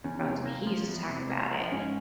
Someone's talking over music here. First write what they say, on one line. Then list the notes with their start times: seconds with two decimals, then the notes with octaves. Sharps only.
Thrones," and he used to talk about it.
0.04 E2 C#4
0.25 C3
0.46 A#3
0.67 F3
0.88 E2
1.09 C3
1.30 A#3
1.51 F3
1.71 G#2 C#4